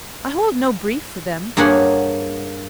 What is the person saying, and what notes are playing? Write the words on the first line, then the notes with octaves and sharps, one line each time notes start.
I hold no brief for them.
G2 A#3 G4 G#4 C#5 F#5